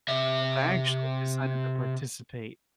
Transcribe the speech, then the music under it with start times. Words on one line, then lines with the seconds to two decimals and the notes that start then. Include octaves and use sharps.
but I actually decided to participate
0.08 C3 E5